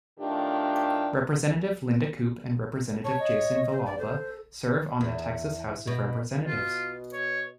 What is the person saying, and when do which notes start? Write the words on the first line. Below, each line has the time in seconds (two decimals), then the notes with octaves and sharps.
Representative Linda Koop and Representative Jason Villalba serve on the Texas House of Representatives.
0.19 A2 D#3 A3 D4 F4 G4
3.04 C#5 A5
3.19 D#5
3.72 C5
3.86 D5
3.99 A4 C5
5.01 E2
5.87 B2
6.47 B2 F4
7.13 C#5